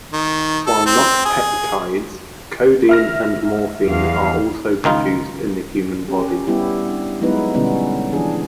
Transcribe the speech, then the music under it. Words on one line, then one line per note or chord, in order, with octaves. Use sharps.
While not peptides, codeine and morphine are also produced in the human body.
D#3
A4
C4
G#4
E5 F6 A#6
E2 F5
C#2 D#3 D#4 F4
C#4 G4
G3 B3 E4 G4
D4
F#3 G#3 B3 D#4 E4 B4
B2 D3 G3 B3 C#4 E4
E3 F3 D4 G#4